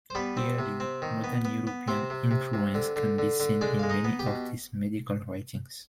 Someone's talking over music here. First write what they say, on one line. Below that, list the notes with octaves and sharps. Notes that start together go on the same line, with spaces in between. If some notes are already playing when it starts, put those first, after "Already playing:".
Early modern European influence can be seen in many of these medical writings.
C5
G3 B3 B4
C4
C3
C4
D#3
B3
B3
B3
C3 C4 C5
C3
C3
C3
D3
D3
D3
D3
G#3 D4 D5
G#3 F5
D#4 D#5
B3
G4 G5
B2